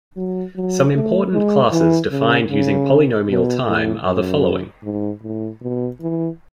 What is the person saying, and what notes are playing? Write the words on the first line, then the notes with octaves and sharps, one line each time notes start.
Some important classes defined using polynomial time are the following.
F#3
F#3
A3
G#3
E3
C#3
C#3
B2
A2
F#2
G#2
A2
B2
E3